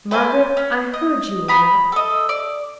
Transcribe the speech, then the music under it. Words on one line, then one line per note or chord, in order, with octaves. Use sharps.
'Margaret, I heard you were up.
B4 C5 D5 G#5
C#4
D#5
A#5 B5 D#6
A4 D#5
D5